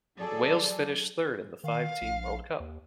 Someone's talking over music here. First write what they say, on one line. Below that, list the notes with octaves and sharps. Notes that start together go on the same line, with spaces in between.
Wales finished third in the five-team World Cup.
F#3 G#4 A4 D5
D#3 F5
A#1
D#2